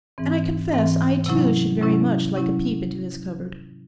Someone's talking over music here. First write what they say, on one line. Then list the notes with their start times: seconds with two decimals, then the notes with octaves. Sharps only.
And I confess I too should very much like a peep into his cupboard.
0.18 G#2 E3 C4
0.73 G#2 E3 C4
1.26 C3 F#3 C#4 E4
1.81 C3 F#3 C#4 E4
2.35 C3 F#3 C#4 E4